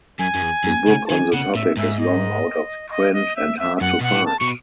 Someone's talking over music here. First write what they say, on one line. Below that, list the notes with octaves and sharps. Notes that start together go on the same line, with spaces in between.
His book on the topic is long out-of-print and hard to find.
F#2 G#5
F#2
E2
F#2
C#3
A5
D#3 G#5
C#3 F#5
A2 E5
G#2 E5
D#5
D#5
D#5
E5
E5
E5
F#2 F#5
B2 F#5
A2
A5
B2 C#6